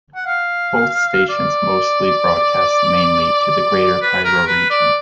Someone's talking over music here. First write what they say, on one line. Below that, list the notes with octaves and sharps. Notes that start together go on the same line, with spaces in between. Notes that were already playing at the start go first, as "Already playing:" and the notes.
Both stations mostly broadcast mainly to the Greater Cairo region.
F#5
F5
D5
B4
A#4
B4
D5